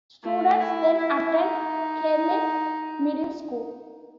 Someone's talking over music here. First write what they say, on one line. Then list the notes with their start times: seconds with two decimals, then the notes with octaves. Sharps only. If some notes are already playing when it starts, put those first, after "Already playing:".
Students then attend Kelly Middle School.
0.23 A3
0.60 E4
0.97 E4
1.35 D#4